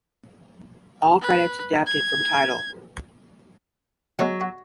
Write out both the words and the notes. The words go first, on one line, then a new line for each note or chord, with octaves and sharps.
All credits adapted from Tidal.
B4
G#6
F#3 G#3 C#5 F#5
F#4